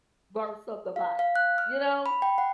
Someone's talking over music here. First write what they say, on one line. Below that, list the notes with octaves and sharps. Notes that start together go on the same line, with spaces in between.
verse of the Bible, you know?
F5
F5
F#6
F6
B5
G5
F#5